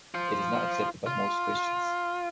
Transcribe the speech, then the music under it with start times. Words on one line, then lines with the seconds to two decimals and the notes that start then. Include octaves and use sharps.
It is not accepted by most Christians.
0.14 F4 C5
1.06 F4